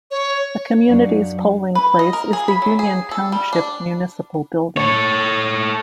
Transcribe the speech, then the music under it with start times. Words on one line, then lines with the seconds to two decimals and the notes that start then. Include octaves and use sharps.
The community's polling place is the Union Township Municipal Building.
0.11 C#5
0.87 F#2 F#3 D4 D5 F5
1.75 B4
1.99 D#5
2.13 A#4
2.33 G#4
2.48 B5
2.62 F#3
2.79 G#4
3.11 A4
3.32 G3
3.53 D4
4.77 A4 C#5